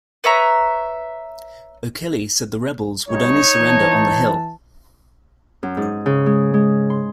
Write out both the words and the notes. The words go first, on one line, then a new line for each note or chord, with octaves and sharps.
O'Kelly said the rebels would only surrender on the hill.
B4 C#5 E5 A#5
G1 C#2 D#4 C#5
E3 A5
F#2
G#2
C#3
G#3
G#3
C6